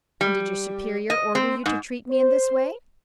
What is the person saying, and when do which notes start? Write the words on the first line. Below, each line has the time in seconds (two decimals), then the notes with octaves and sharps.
"And did your superior order you to treat me in this way?"
0.21 G3
1.10 D#5
1.35 C4
1.66 G#2
2.10 C5